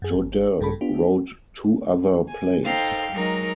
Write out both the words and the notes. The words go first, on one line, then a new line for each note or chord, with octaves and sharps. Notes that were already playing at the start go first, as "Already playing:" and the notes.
Jodelle wrote two other plays.
F#2 G#4
G1
A#1 G2 G3 A4 B5
B3 D4 F4 G4
G#5
D#4 A4 C5 F5 G5
F#3 G#3 D#4 A#4